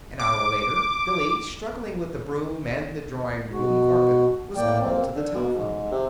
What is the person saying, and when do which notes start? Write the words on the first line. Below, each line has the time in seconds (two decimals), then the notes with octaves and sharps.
An hour later Billy, struggling with the broom and the drawing-room carpet, was called to the telephone.
0.20 D6
3.52 B2 F#4
4.56 A2 A#3 D5 G5
4.80 A#3 C4
5.15 D3
5.35 B2
5.55 G#2
5.92 C3